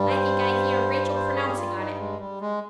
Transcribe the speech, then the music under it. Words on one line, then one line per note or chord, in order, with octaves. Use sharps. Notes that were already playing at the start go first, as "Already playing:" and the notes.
I think I hear Rachel pronouncing on it.
Already playing: G2 G3
C5
C5
G#4
G4
F4
D#4
G#3
G3
G#3